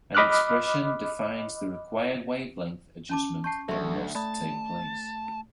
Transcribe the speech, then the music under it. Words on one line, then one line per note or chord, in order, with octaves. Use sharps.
An expression defines the required wavelength adjustment that must take place.
D#5 B5 D6 F6 F#6
C#4 A5 D6
A5 C#6 G6 C7
A1 D2 F#3 A4 E5 C#6
A3 D5 A5 B5 D#6